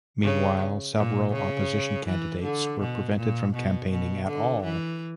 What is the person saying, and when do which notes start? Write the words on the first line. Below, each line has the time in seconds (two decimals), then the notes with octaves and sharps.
Meanwhile, several opposition candidates were prevented from campaigning at all.
0.23 C#3
0.96 A#2
1.33 C#3
2.06 E3
2.42 D3
2.80 B2
3.17 A#2
3.54 B2
3.90 B2
4.27 D3
4.63 E3